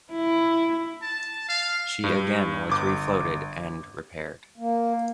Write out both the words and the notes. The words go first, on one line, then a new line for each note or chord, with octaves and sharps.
She again was refloated and repaired.
E4
A5
F5
G2
G1 D6
A#3